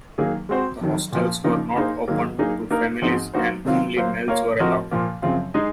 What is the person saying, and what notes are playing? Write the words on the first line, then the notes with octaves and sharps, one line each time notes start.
The hostels were not open to families and only males were allowed.
D#3 F#3 A#3 D#4 G#4
G#3 C4 F#4 C5
F2 D#3 F#3
A#2 F3 A#3
C#3 F3 A#3 D#4
A#3 D#4 G#4 C5
G#2 D#3 F#3 A#3
F#3 A#3 D#4 G#4
A#3 D#4 A#4
G#2 F3 C4 D#4 F#4
F#3 A#3 D#4 F#4 C5
C3 D#3 F#3 C4 F4
F#3 A#3 F4 C5
A#3 F4 A#4 C#5 F5
F3 C4 F#4 A#4 D#5
A#2 F3 A#3
F#2 C#3 F3 C4 F4
G#3 D#4 G#4 D#5